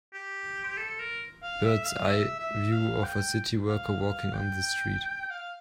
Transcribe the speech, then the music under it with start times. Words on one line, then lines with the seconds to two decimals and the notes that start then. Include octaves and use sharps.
Bird 's eye view of a city worker walking on the street.
0.13 G4
0.77 A4
0.99 A#4
1.43 F5
1.65 E5
1.86 F5
2.07 E5
2.39 E5
2.72 F5
3.04 G5
3.69 F5
4.01 F5
4.34 G5
5.30 F5